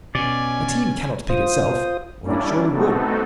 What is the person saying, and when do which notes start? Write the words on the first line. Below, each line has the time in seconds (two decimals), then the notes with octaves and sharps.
A team cannot pick itself, or it surely would.
0.15 B2 C#4 D5 G#5
1.29 F4 C5 D#6
2.24 G3 A#3 C#4 D4 E4 D5
2.71 A3 B3 C4 D#4 F#4 A4